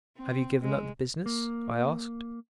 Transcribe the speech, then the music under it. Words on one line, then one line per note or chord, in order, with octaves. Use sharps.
"Have you given up the business?" I asked.
C4
G#3
A#3